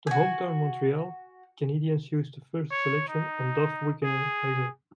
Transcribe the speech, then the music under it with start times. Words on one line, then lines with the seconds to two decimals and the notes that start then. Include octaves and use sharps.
The hometown Montreal Canadiens used the first selection on Doug Wickenheiser.
0.07 F#4 G#5
2.71 C#5
3.09 D#4
4.03 G#4